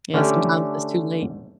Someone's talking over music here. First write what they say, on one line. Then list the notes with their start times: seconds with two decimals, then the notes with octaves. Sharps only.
Yeah, sometimes it's too late.
0.14 D3 A3 C#4 D4 G4